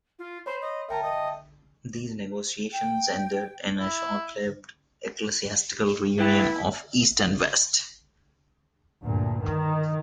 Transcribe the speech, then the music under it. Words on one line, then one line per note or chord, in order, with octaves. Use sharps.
These negotiations ended in a short-lived ecclesiastical reunion of East and West.
F4
C5 C#5 B5 C6
D#5
A#4 E5 G5 A5
D#5
G5
E4
A3 E4 B4 G5
D2 G2 A#2
D#3